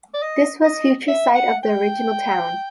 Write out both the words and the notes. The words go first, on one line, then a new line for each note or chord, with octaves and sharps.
This was future site of the original town.
D5
D#5
D#5
E5
F#5
G5